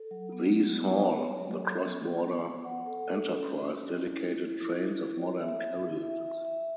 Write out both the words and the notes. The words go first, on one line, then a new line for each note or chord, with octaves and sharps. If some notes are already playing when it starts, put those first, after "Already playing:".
These haul the cross-border "Enterprise" dedicated trains of modern carriages.
Already playing: A4
F#3
B3
F#3
B3
C#5
C#5
F#3
A4
B3
B3
B3
B3
F#5
A4
A4
C#4
C#4
C#4
E4
E4
E4
E4
E4
E4
C#5
E5
E5
E4
E5
E5
E5